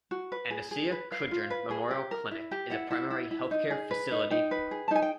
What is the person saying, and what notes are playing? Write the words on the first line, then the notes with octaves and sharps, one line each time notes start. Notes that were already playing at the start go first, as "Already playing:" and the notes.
Anesia Kudrin Memorial Clinic is a Primary Health Care facility.
F#4
B4
G#4
G#4
B4
B4 F5
F4
B4
G#4
G4
A#4
E4
G4
E4 F#5
E4
E4
E4
D#4
G#4
B4
D#4
D#4 G5
B4
G#4
A5
D#4 G#5
G5